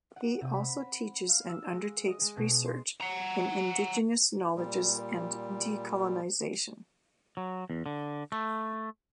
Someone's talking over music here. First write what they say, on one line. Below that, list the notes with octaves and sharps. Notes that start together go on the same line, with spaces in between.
He also teaches and undertakes research in Indigenous knowledges and decolonisation.
F#5
C3
B5
B5
F5
E6
G#3
D#5
G#3
B2
C6
F#5 A#5
A#2 G3
F#3
E2
D3
A3